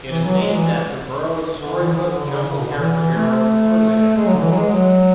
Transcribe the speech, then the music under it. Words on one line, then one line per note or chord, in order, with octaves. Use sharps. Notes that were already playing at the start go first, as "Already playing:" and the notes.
It is named after Burroughs' storybook jungle character hero, Tarzan.
E3
F#3
G#3
E3
D3
E3
E3
D3
C#3
C#3
B2
D3
E3
E3
A3
G#3
F#3
D3
E3
F#3
G#3
F#3